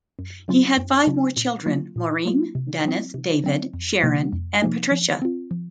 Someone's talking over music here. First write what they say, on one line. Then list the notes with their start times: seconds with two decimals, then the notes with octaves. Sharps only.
He had five more children, Maureen, Dennis, David, Sharon and Patricia.
0.19 F#2
0.48 C#3 F#3 C#4 F4
0.77 F#2
1.07 C#3 F#3 C#4 F4
1.37 A#2
1.66 F#3 A#3 F4
1.96 A#2
2.25 F#3 A#3 F4
2.55 C3
2.85 F#3 C4
3.14 C3
3.44 F#3 C4
3.74 F2
4.03 C3 F3 A#3 D#4
4.33 F2
4.62 C3 F3 A#3 D#4
4.92 F3
5.22 C4 F4
5.51 F3